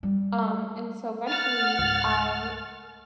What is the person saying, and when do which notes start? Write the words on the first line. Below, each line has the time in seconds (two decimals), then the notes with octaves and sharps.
Um, and so eventually, I
0.03 G3
1.29 F#5 F6 A6
1.79 C#2 G#2